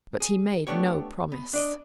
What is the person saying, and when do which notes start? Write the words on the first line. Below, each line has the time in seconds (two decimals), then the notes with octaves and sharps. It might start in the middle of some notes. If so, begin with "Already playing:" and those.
But he made no promise.
0.20 G#4
0.67 A3 B3 D4 G4 C#5
1.32 B3
1.53 D4 D5 D#5